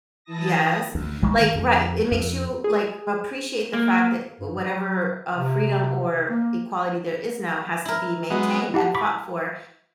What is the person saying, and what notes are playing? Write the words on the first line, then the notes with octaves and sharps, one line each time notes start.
Yes, like, right, it makes you, like, appreciate the fact that, eh, whatever, uh, freedom or equality there is now has to be maintained and fought for.
E3 E4 A5 D#6 A#6
D2
G1 D#3 G3 G#3
F2
F2
G#4
A#3
G2
F#3
C3
A#3
E4 A#4
F#3 G#3 B3
E4 G4 F#5 A5
B5 C#6 D6 B6